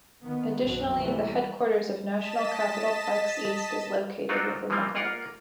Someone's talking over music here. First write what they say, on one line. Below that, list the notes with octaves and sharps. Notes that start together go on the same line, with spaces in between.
Additionally, the headquarters of National Capital Parks-East is located within the park.
D#3 B3
B1 F#2 A#2 F#3
B2 E3 F#3 G3 A3 A#3
D#5 A5 A6 B6 E7
F#3 C4 D4 D#4 F4 F#4
E3 F3 G3 A#3 C4
A#3 F4 A#4 F#5